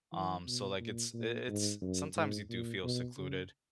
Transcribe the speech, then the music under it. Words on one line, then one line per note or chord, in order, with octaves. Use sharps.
um, so, like, it's i it's sometimes you do feel secluded,
E3
B2
A#2
A#2
G#2
F#2
G#2
A#2
B2
C#3